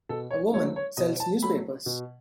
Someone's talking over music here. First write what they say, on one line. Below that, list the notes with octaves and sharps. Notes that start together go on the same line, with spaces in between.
A woman sells newspapers.
B2 A4
C#5
F#3 A3 C#5
C#5
B2 D#5
A5
F#3 A3 B5
B2